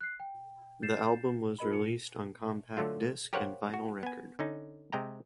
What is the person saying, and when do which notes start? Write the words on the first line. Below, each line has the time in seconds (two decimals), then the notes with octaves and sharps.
The album was released on compact disc and vinyl record.
0.01 F#6 C7
0.20 G5
0.82 G6 A6 C7 E7
1.59 F4 A#4 D#5 B5
1.71 D#4 C#7
2.77 D3 F#3 A3 F4
3.33 G4 A#4 C5 C#5 F5 F#5
3.74 F#4
4.03 B3 G#5
4.39 D3 C#4 D#4
4.92 C3 G#3 G5 A#5